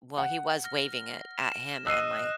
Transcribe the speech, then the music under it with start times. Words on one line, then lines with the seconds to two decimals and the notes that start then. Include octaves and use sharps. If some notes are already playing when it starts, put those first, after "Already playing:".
well, he was waving it at him and my
0.18 F#5
0.64 F6 A#6
1.40 E7
1.87 D#5 E6 F#6 C7 D#7